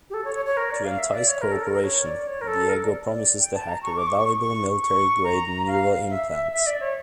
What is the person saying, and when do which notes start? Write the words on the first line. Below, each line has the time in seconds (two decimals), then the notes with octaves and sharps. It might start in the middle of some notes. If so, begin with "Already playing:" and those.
To entice cooperation, Diego promises the hacker a valuable military grade neural implant.
0.10 G4
0.14 A4
0.25 C#5
0.35 C#5
0.45 C#5
0.57 A#4
0.71 D5
0.85 F5
0.99 E5
1.14 D5
1.28 C#5
1.42 A#4
1.52 A4
1.63 A#4
1.74 A#4
1.84 C#5
2.05 D5
2.27 C#5
2.41 A#4
2.47 A4
2.69 A#4
2.84 D5
3.12 D5
3.40 G5
3.54 A5
3.68 A#5
3.83 C#6
3.97 D6
4.07 C#6
4.18 C#6
4.29 C#6
4.39 C#6
4.82 C#6
5.24 A#5
5.67 F5
6.10 E5
6.31 E5
6.52 E5
6.67 D5
6.80 C#5